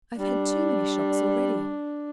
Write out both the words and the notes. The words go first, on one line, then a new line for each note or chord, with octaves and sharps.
I have had too many shocks already.
G3 D4